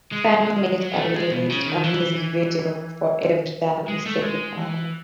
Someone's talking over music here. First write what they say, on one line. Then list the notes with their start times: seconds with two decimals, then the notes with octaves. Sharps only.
Simon made and released a music video for Ev'ry Time We Say Goodbye.
0.12 G#3
0.81 F#3
0.93 B3
0.98 A3
1.15 G#3
1.31 B2
1.50 C#3
1.66 D#3
1.84 E3
3.88 G#3
4.06 A3
4.23 G#3
4.58 E3